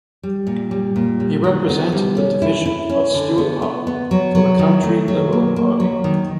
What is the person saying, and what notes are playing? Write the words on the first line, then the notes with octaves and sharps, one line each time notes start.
He represented the division of Stuart Park for the Country Liberal Party.
G3
A#2
G3
A#2
G3
D#3
B3
G3
C#4
E4
E4
C#4
D3
B3
B3
B3
F#3
F#3
D#3
A3
F#3
A#3
A#3
F#3
D#3